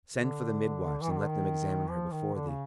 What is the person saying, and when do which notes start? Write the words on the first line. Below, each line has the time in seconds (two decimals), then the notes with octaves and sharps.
Send for the midwives and let them examine her before thee.
0.14 D3
1.02 E3
1.11 D#3
1.19 D3
1.28 D#3
1.89 F3
2.11 D#3
2.34 D3
2.48 C#3